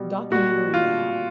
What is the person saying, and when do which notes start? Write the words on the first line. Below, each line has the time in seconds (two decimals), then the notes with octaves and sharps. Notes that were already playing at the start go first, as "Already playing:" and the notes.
Documentary Now.
Already playing: B2 G3
0.31 A#2 G3 F#4
0.74 F4